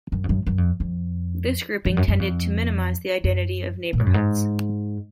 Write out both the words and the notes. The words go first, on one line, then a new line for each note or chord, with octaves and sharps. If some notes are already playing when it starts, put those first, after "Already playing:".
This grouping tended to minimize the identity of neighborhoods.
F#2
F2
F#2
F#2
F2
F2
F2
F#2
F#2
F2
F#2
A#2
G#2
F#2
G#2